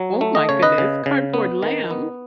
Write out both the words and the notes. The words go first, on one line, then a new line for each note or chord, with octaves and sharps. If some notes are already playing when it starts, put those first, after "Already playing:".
Oh my goodness, Cardboard Lamb?
Already playing: F#3
A3
D#5
C#3 C#5
B4 D#5
C#3
C#3
B3
D#3
B3